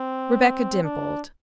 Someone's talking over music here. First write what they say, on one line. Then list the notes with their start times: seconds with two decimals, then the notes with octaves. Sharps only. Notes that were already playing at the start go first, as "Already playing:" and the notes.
Rebecca dimpled.
Already playing: C4
0.84 D4